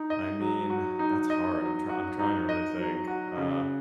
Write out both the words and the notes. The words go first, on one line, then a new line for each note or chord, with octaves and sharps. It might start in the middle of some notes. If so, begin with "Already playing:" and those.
I mean, that's hard. I'm try I'm trying to really think, uh,
Already playing: D#4
D#5
F#3
F#4
D#4
D#5
F#3
F#4
D#4
D#5
F#3
F#4
C#3